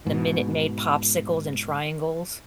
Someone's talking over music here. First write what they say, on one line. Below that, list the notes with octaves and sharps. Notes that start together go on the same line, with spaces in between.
and the Minute Maid popsicles and triangles.
G#2 B2